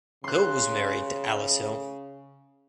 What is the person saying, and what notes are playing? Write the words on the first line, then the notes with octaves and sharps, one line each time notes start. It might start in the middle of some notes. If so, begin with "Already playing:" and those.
Hill was married to Alice Hill.
C#3 C6 F#6